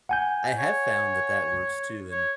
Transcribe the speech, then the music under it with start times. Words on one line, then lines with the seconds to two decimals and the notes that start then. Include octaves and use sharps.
I have found that that works too, and
0.09 F#5 G#5 G6
0.59 C#5
2.11 C#5